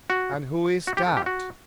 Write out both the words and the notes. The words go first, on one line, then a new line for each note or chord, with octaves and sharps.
And who is that?
F#4
F#4
G4
A4
G4
F#4